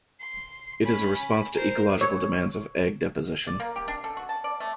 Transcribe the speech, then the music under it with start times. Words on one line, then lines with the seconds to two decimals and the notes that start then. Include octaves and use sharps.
It is a response to ecological demands of egg deposition.
0.20 C6
0.83 C#4 B5
1.54 A#4 C5
2.01 C#5
3.47 D5
3.60 A#3
3.76 G4
3.88 D4
4.04 A4
4.17 F#4
4.29 A5
4.44 D5
4.60 A3